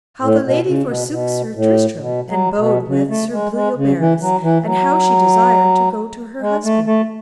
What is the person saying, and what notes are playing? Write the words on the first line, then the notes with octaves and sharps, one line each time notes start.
How the lady forsook Sir Tristram and abode with Sir Bleoberis, and how she desired to go to her husband.
A2
B2
C#3
B2
B2
A2
B2
F#3
B2
C#3
A3
G#3
G#3
C#3
E3
F#3
E3
F#3
G#3
A3
A3